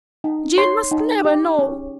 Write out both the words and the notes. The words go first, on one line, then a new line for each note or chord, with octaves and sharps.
Jane must never know.
D#4
C#5 C6
D#4
G4
C#4